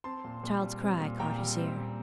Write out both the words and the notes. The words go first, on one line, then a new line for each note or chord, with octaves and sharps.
A child's cry caught his ear.
C4 A5 C6
A#2
A#2
G3
C4
A#2
A#2 G5 A#5
G3
C4
A#2